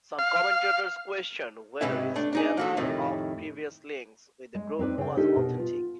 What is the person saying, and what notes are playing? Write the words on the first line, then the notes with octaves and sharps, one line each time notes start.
Some commentators questioned whether his denial of previous links with the group was authentic.
F5
G#2 C3 C#4 B4 E5
A3 D4
D4 D#4 G#4
E3 F#4 A4
F2 A2 C3 D#3
G#3
C4 D#4 B4 D5
C#3 G5
A3 D4 D#4 G4 A4 A#4
B2
F4